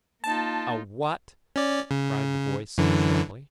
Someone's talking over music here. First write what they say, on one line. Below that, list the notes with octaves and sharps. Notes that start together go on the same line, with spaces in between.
"A what?" cried the voice, sharply.
A#3 D#4 F4 A5
C#4 D5
C#3
F#2 D3 E3